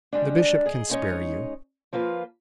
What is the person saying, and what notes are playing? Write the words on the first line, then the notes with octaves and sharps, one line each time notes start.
The bishop can spare you.
G3 G#3 D4
G#4 D#5
G#3 C#4 D#4 C5 C#5 D#5
F3 A#3 F4 B4